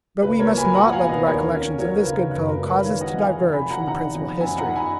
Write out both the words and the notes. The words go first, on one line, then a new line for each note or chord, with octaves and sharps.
But we must not let the recollections of this good fellow cause us to diverge from the principal history.
C#2 B4
A#4 C#5
A#3
G#5 B5
F#3 F#5 A#5
F5 G#5
B2
B4 D#5
D#2 A#4 C#5
C#4
F#3 A#4 C#5
B4
C#3
A#4
F#1 B4
A#4
G#3
B4
D#3 C#5 F5
D#5 F#5
F2
F5 G#5
F1
G#5 B5
F1
F#5 A#5
D#3 F#5 A#5
F2
F#2 G#5 B5
F#5 A#5
D#4
G#5 B5